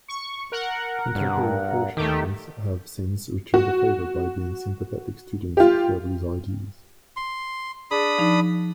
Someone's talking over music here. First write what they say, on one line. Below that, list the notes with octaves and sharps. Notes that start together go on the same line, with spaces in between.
Contemporary Peircians have since returned the favour by being sympathetic students of Welby's ideas.
C#6
A#4 F#5
G2
D#3 A3 G4
F#4
F4 G4
C6
D4 G#4 B5 D#6
F3 D#4